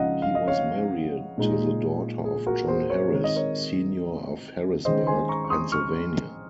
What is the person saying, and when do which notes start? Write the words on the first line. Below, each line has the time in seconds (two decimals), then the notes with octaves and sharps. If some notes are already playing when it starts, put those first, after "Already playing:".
He was married to the daughter of John Harris, Senior of Harrisburg, Pennsylvania.
Already playing: C#3 F3 G#3 D#4 D#5 F5 F#5
0.22 F5
0.35 D#5
0.47 C#5 F5
1.38 A#2 G#3 D#4
2.25 G#4
2.47 F#4 A#4
2.68 G#4 C5
2.90 A#4 C#5
3.11 D#3 G#3 C4 D#4 C#5
3.24 D#5
3.36 A#4 C#5
4.85 D#3 G#3 C#4 C5 D#5
5.07 G#5 C6
5.29 A#5 C#6
5.45 C#6
5.50 C6 D#6
5.72 C#6 F6